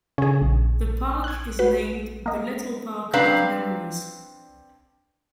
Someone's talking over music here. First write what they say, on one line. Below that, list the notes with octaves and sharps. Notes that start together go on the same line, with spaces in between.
The park is named The Little Park of Memories.
C#3 C#4 G#4
A#1
F#6 G#6
F#4 B4
A#3 D#5
C4 D4 B4 F5 A#5